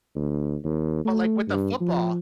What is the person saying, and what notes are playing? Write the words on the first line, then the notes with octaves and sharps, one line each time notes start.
But like with the football
D2
D#2
A3
G2
F3